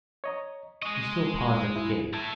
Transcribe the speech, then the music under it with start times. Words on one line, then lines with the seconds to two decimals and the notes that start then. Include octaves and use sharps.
He still paused at the gate.
0.24 C#5 D#5 A#5
0.82 G#3 D#5 C#6
1.76 E4
2.14 A3 E4 A5